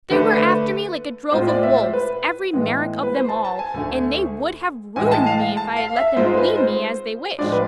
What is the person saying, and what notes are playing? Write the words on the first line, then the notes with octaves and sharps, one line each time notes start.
"They were after me like a drove of wolves--every Merrick of them all--and they would have ruined me if I had let them bleed me as they wished."
D3 A3 D4 B4
B4
A2 G#3 C4 F4 C5
D5
E5
C5
B4
A2 E3 G#3 B3
B4
C5
A5
A5
G#5
D2 D3 A3
A2 E3 G#3 G#5
A5
F5
A5
F5
E5
G#2 G#3 C4 F4 C5
B4
C5
A2 F3 G#3 D4 F4 D5
B4